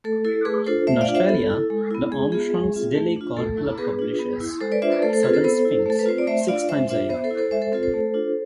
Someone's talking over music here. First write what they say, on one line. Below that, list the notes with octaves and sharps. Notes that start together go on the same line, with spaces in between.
In Australia, the Armstrong Siddeley Car Club publishes "Southern Sphinx" six times a year.
A3 A4
E4 A4
A3 G#4 B4
D4 F4 A4 C5
A3 C5 E5
D5 F5
D4 F4
C5 E5
B3 A4
E4
G#3
B3 E4
G#3 G#4
B3 F4 G#4
G#3
C4 F4
A3
D4 F4
A3 A4
E4
B3 G#4 B4
D4 F4
B3
E4
G#3 A4 C5
B4 D5
D4 F4 C5 E5
B4 D5
A3 A4 C5
A4 C5
C4 F4 G#4 B4
A4 C5
B3 A4 C5
E4
A3 A4
B4
C4 F4 C5
D5
A3 C5 E5
D4 F4 D5 F5
G#3 C5 E5
D4 F4 C5 E5
B3 C5 E5
A4 C5
E4
A4 C5
G#3 C5 E5
A4 C5
C4 F4 A4 C5
A4 C5
A3
D4 F4